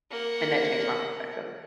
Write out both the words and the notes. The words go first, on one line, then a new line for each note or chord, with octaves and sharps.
and that changed my perspective.
A#3 F#5